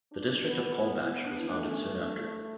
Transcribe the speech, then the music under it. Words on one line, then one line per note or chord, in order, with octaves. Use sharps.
The district of Kulmbach was founded soon after.
D4
B3
E4
E4
D4
E4
A3 D4
D4
C#4
D4
E4